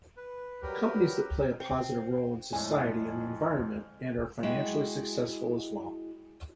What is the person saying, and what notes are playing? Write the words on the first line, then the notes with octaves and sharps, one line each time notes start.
Companies that play a positive role in society and the environment, and are financially successful as well.
B4
F#3 G3 G4 A#4 B4
C4
F2 A2 D3 F3 G#3 D#4 G#5
G#3 E4 F#4 G#4 G5